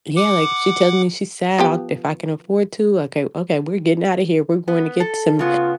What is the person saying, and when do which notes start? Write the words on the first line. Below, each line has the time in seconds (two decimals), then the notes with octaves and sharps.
Yeah like, if she tells me she's sad, I'll if I can afford to, like, I "Okay, okay, we're getting outta here. We're going to get some
0.16 F#5 D6
1.58 F3 B3 G4
4.68 B3
5.00 A4
5.39 C#3 B3 F4